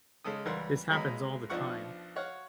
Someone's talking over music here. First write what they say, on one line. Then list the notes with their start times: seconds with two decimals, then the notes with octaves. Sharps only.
this happens all the time.
0.24 C#3 G#3 A4 D#6
0.45 C#2 E3 G3 A#4 F#5 C6
0.89 B1 B2 F#3 G#3 A#5 B5
1.50 B1 F3 D4 F#5 C#6
2.16 F#4 C#5 F5 F#5